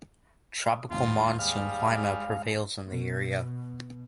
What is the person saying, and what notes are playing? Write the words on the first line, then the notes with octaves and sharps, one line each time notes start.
Tropical monsoon climate prevails in the area.
D#2 G#2 F4
G3 G#4 F5
B2